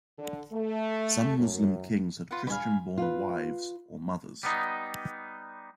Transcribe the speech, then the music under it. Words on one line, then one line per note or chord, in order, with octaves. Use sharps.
Some Muslim kings had Christian-born wives or mothers.
D3
A3
F#2
F4 B4 F#5
G2 G3 F5 G#5 B5
F4 B4
G3 B3 D#4